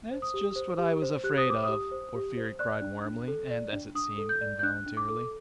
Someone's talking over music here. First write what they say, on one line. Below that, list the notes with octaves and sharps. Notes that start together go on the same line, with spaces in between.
"That's just what I was afraid of!" Porfiry cried warmly and, as it seemed, involuntarily.
C5
D#6
G4
C5
G4
C5
G4 F#6
D#6
C5 D6
G4 D#6
C5
G4
C5
D5 F#6
D4
D4
A4
D5
D4
D4 D#6
A4
G6
D5
G6
D4 F#6
D4
D6
A4